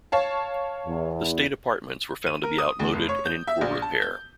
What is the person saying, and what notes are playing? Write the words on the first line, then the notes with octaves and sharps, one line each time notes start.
The state apartments were found to be outmoded and in poor repair.
C#5 F5 A5
E2
D#7
A#4
D#6
D2
F1
C#5
G6
E5
A#1
A5
G6